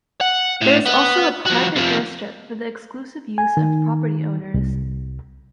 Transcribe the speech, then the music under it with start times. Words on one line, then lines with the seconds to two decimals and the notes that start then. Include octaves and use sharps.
There is also a private airstrip for the exclusive use of property owners.
0.21 F#5
0.61 A2
0.86 B3
1.46 F3 F#4
1.76 C3 F3
3.38 G#5
3.57 D#3
4.54 C2